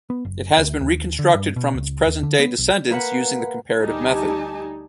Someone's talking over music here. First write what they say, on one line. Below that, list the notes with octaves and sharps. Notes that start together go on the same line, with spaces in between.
It has been reconstructed from its present-day descendants using the comparative method.
B3
F#1
D2
D#2
D3
G2
B2
C#2
D#2
D3
B3
B1
A#3 B4 F#5
D2 G3 D#4 G4 G#5 A5